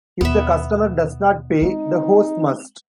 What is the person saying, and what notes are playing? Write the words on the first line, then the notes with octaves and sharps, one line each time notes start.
If the customer does not pay, the host must.
D#2 B2 B3 E5
G#3 C4 D#4